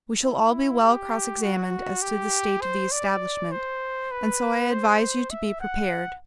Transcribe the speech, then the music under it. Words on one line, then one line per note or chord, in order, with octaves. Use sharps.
We shall all be well cross-examined as to the state of the establishment; and so I advise you to be prepared.
E4
G4
F#4
G4
C5
D5
C5
B4
C5
E5
F#5